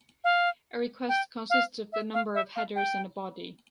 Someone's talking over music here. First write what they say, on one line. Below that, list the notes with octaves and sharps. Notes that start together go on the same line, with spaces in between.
A request consists of a number of headers and a body.
F5
G5
F5
E5
F5
E5
F5
G5